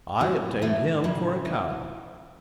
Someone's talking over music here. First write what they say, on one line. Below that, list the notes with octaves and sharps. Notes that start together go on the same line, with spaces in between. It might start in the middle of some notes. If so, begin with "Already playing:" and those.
"I obtained him for a cow."
A2 F#3
A2 E3 A3
A2 C#3 C#4
E3